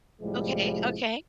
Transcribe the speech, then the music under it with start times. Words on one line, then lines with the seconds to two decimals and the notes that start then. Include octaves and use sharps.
Okay, okay.
0.21 C2 A2 F3 G3 G#3